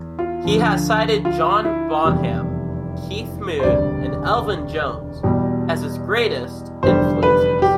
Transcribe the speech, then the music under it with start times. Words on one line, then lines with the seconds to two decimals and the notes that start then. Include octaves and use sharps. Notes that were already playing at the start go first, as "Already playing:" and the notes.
He has cited John Bonham, Keith Moon, and Elvin Jones as his greatest influences.
Already playing: E2
0.19 F4
0.45 D2 D3 F3
1.25 F4
1.65 E4
2.04 F1 E2 C3 E3 G3
3.60 C5
3.63 E1 D2 C3 G3 D5
5.23 E2 B2 G3
6.83 F1 E2 D3 G3 C5
7.23 B4
7.62 G4